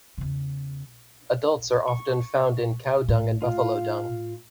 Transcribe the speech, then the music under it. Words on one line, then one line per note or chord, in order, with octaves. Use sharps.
Adults are often found in cow dung and buffalo dung.
E2 C#3
C#6
A2
F4